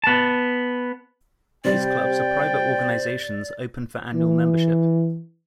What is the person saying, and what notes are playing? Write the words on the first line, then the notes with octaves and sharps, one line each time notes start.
These clubs are private organisations open for annual membership.
B3 A5
C3 G3 C5 D5 G5
E3